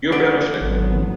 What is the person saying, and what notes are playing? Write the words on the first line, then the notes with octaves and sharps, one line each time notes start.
You blemished it.
D3 D5
G#1 F#3 B3